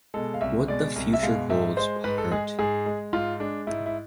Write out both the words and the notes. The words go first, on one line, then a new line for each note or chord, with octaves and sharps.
What the Future Holds Pt.
B2 G#3 A4
F5
C2 E5
B2 G#3 D5
C2
E5
B2 G#3 F5
G#2 E5
G#3 C5
G#2 B4
A4
G#3 G#4
G#2 G#4
G#3
G#2 F4
G#3 D4
G#2 E4
E4